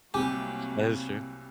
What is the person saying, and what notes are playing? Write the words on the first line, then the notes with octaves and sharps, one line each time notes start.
That is true.
C2 C3 F#3 G3 A3 A#3 G4 G#5